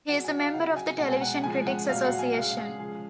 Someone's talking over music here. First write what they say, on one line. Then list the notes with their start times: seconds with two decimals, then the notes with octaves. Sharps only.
He is a member of the Television Critics Association.
0.09 C#3 F#3 F#5
0.24 G#5
0.39 F5
0.54 C#3 F#3 F#5
0.77 G#5
0.99 B2 G#3 F#5
1.12 G#5
1.21 F#5
1.37 F#5
1.44 C#3 F3 G#3 G#5
1.67 F#5
1.89 A#2 F#3 F5
2.04 F#5
2.19 G#5
2.34 C#3 G#3 F5
2.57 G#4
2.79 C#3 F3 G#3 G#4